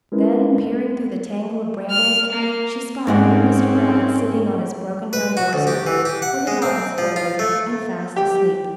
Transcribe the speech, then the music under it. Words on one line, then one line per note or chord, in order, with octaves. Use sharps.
Then, peering through the tangle of brambles, she spied old Mr. Rabbit sitting on his broken-down doorstep with his arms folded and fast asleep.
G#3 C#4 D#4 E4 A#4 B4
F6
A#3
G#2 A#3 C4 C#4 F#5
B4
F#4
D2
G4
E3
G4
F#5
G#3
C4
F3
F4
A3
G4